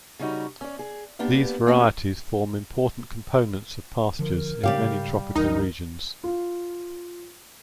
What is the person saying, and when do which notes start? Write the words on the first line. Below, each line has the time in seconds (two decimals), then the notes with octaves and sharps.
These varieties form important components of pastures in many tropical regions.
0.19 C#3 G3 C#4 D#4 F#4
0.61 C#4 D5
0.79 G#4
1.19 A#3 B3 D4 G4
1.67 A#3 C4 C#4 F#4 G4
4.19 D3 F3 A#4
4.63 G#2 C#3 G3 G4 F5
5.35 C#2 F3 D#4 A#4
6.24 F4